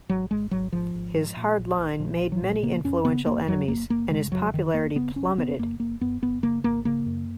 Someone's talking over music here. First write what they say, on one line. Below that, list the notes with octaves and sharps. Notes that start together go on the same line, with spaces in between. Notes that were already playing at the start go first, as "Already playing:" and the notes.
His hard line made many influential enemies, and his popularity plummeted.
G#1 F#3
G#1 G#3
G#1 F#3
G#1 F3
G#1
G#2
A#2
A#1
A#1
A#2 F3
A#1
F#3
A#2
C#3 A#3
F2 C#4
C#3 B3
F#1 A#3
F2 F#3
F#1 A#3
F#1 A#3
C#3 G#3
F2 F#3
F#1 D#3
F#1 A#3
C#3 B3
F#1 C#4
C#3 B3
F#2 A#3
F#1 A#3
F#2 B3
F#1 B3
C#3 A#3
G#1 A#3
C#3 A#3
F#2